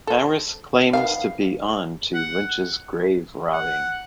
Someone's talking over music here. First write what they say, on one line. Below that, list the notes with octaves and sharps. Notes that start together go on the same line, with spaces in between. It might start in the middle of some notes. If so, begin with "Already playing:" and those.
Harris claims to be on to Lynch's grave robbing.
A4 C5
D#3 F#3 B3 F5
F#5
F#5